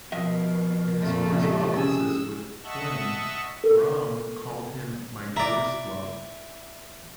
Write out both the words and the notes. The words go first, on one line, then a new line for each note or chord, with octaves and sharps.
In his correspondences with Twain, Browne called him My Dearest Love.
B2 F3 A#4 D#5 E5
F2 A#2 A3
G#3 E4 G4 D#5 A5
C#4 G#4 G#5 E6
D#5 E5 F#5 A5 C#6 E6
A4 A#4
E4 D5 A#5 D6